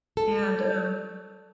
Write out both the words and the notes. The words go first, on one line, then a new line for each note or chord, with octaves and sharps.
and, um,
A4